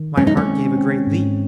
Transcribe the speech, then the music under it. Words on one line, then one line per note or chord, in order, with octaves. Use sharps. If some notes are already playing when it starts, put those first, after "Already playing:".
My heart gave a great leap.
Already playing: D#3
G#3 C#4
D#4
C#4
C4
C4
G#2